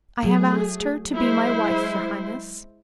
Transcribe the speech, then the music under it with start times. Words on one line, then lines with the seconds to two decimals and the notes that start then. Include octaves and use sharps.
"I have asked her to be my wife, your highness."
0.23 F#3 A3 G#4
1.13 G#3 E4 C5